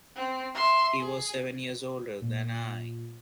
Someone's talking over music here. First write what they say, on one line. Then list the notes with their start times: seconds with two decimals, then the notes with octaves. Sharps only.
He was seven years older than I.
0.15 C4
0.55 E5 C6
1.00 G#4
2.22 A#2